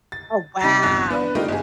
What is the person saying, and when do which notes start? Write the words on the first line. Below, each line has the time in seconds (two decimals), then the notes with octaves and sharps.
Oh wow,
0.12 A6
0.61 C3 D#4 A5 A6
0.83 G1 E2 F#6
1.10 B3 D4 B4
1.35 A3 D#4 F4 G4 A#4
1.48 G1 G#4